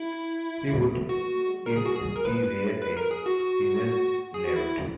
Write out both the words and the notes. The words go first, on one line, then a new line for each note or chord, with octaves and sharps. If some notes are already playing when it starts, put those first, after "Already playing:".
She would, if she were a female newt.
Already playing: E4
F#4
A#4
G#4
F#4
G#4
A#4
B4
B4
A#4
G#4
F#4
G#4
F#4
E4